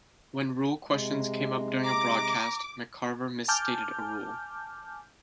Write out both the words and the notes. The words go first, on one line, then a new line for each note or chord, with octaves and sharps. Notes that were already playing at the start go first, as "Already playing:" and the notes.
When rule questions came up during a broadcast, McCarver misstated a rule.
C3 G#3
A#5 D6
G#5 A5 D6 F6 G6